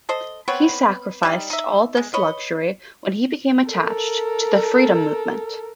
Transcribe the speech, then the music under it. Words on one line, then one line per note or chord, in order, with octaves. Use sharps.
He sacrificed all this luxury when he became attached to the Freedom Movement.
A4 C5 D#5
B3 C4 B4 C#5
G3 D#4 D5
D#4 E5
G#3
B4 C#5 D#5
A4 A#4